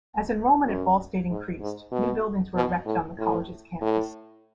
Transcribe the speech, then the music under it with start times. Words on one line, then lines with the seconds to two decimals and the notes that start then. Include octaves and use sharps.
As enrollment at Ball State increased, new buildings were erected on the college's campus.
0.66 F#2
1.30 G#2
1.61 G#2
1.92 B2
2.55 B2
2.86 A2
3.18 A2
3.81 A2